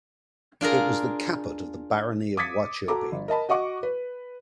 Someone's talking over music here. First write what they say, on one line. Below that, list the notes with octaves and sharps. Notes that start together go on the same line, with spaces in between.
It was the caput of the Barony of Wauchope.
D4 F4 G#4 A#4
D6 D#6 G#6 A6 B6 C#7
F#4 A4 A#5 D6
G1
A#4 D#5 A5 B5
F#4 D#5 F#5 C#6 D6
B4